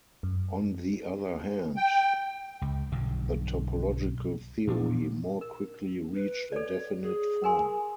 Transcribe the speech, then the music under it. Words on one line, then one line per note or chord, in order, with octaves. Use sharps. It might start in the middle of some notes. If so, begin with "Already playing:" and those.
On the other hand, the topological theory more quickly reached a definitive form.
F#2
G5
C#2
B1 G2 D3
A#2 F3 D4
A#4
B4
A4 C#5 D5
G#4
A#4 G#5 C6